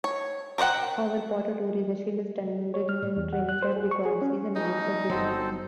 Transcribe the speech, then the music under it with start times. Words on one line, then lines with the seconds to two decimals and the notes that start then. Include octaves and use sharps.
However, Porter tore his Achilles tendon in training camp, requiring season-ending surgery.
0.04 C#5
0.58 A#4 C5 D5 F#5 G5
2.74 C#5
2.89 F6
3.02 A2
3.17 E2
3.33 F#5
3.49 F#6
3.62 C5
3.76 G#4
3.91 C#6
4.05 G#4
4.22 C#4
4.56 B2 E3 D#4
5.10 G1 F#3 C4 A4 C5